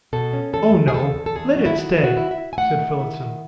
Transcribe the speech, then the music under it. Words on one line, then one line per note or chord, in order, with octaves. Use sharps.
"Oh no--let it stay," said Phillotson.
B2 A4
C#4
E2 A4
E2
G#4
E2 A4
E2
A4
E2 G#4
F#3
E4
D#3 F#4
E4 G#4
F#4
E4
E5
E4
G#5
A3 F#5
D#3
E4
D#3